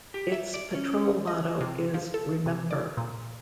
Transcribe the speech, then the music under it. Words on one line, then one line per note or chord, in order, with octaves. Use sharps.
Its patrol motto is Remember!
G4
E5
D5
C#4
D#5
C3
F3
A4
C3
D5
A#2